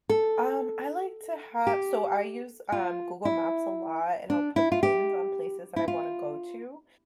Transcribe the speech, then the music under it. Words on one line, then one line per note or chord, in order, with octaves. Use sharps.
Um, I like to ha so I use, um, Google Maps a lot and I'll put pins on places that I wanna go to,
A4
G4
F4
E4
D4
E4
F4
G4
E4
F4